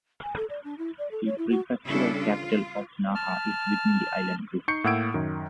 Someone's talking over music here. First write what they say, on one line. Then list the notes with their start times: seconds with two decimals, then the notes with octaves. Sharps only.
The prefectural capital of Naha is within the island group.
0.23 G#5
0.36 A4
0.50 D5
0.64 D4
0.78 E4
0.98 D5
1.11 A4
1.26 C#5
1.38 E4
1.50 F#4
1.84 C#3 G3 C#4 D4 E4 A4
2.22 F4
3.15 A5 F6
4.68 D#4 C#6 G6 C7 C#7
4.84 A2 A#3 F#5 E6 G#6 D7
5.14 F#2 D#3